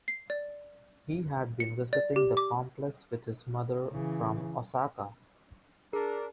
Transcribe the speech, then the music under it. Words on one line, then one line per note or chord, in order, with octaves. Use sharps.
He had been visiting the complex with his mother from Osaka.
C7
D5
C#7
D5
G4
D6
C#3 E3
D4 G#4 A#4